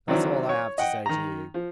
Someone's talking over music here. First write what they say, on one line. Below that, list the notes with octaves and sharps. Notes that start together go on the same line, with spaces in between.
That's all I have to say to you.
D#3 E3 F#3 C4 D4 E4
C#5
D#5 F#5 G5
D#3 A#5
F3